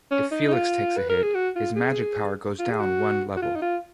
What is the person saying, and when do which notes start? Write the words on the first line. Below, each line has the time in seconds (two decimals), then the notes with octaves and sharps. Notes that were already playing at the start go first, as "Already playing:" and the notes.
If Felix takes a hit, his magic power goes down one level.
0.11 C#4
0.32 D#4
0.48 D#4
0.53 F4
0.97 B4
1.10 A#4
1.23 G#4
1.35 F#4
1.56 F4
1.76 G#4
2.59 F4
2.71 G#4
2.80 F#4
3.36 F#4
3.42 F4
3.56 D#4
3.62 F4